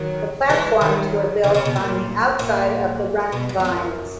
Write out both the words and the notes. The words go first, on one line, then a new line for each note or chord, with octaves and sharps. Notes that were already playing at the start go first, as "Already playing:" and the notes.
The platforms were built on the outside of the running lines.
Already playing: D#3 F#3
E3 G#3
D#3 F#3
C#3 E3
C#3
B2
A#2
A#2
B2
G#2
E2
F#2